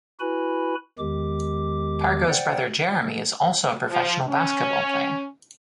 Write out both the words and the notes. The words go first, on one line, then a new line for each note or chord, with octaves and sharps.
Pargo's brother, Jeremy, is also a professional basketball player.
E4 F#4 B4 G#5 B5
E2 D#3 G#3 G4 D6
C5 D5 F#5 G5
F3
C#4